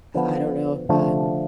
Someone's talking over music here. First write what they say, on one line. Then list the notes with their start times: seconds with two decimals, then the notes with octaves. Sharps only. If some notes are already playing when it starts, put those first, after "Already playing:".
I don't know if I'm
0.15 D3 F3 B3
0.89 D3 F3 A3